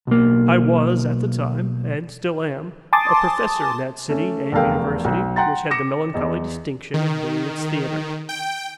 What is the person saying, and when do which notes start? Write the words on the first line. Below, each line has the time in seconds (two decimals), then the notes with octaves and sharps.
I was at the time, and still am, a professor in that city and university which had the melancholy distinction of being its theater.
0.07 B1 A#3
2.93 G#5 A5 C6 D6 D#6 A6
4.09 A3 C#4
4.52 F1 E2 A4 A#4 F5 G5
5.05 B1
5.36 F#5 G5 A#5 C6 A6
5.71 D6 A#6 C#7 E7
6.14 E2 D#5
6.94 D#3
8.29 G5